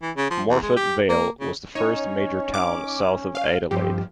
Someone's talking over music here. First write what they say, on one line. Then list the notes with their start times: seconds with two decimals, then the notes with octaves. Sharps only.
Morphett Vale was the first major town south of Adelaide.
0.02 E3
0.16 C#3
0.30 F3
0.49 E2
0.63 G#3
0.76 G4
1.09 A#3
1.40 C#3
1.75 C#4 D#4 C#5
2.54 D6
3.35 F5
3.71 G2 F3 C4 G4